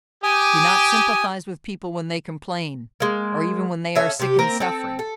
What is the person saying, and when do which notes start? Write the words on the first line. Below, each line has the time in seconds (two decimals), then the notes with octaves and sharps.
Do not sympathize with people when they complain, or even when they are sick and suffering.
0.23 G4 G#5 D#6
3.00 G#3 A#3
3.95 C#4 A4 E5
4.19 C3 G4
4.39 A#3 C4 A#4
4.60 C4 A4
4.99 A4